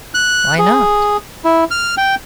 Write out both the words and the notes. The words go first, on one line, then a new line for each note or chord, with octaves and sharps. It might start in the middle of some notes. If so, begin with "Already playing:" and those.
Why not?
F#6
G#4
E4
F6
G5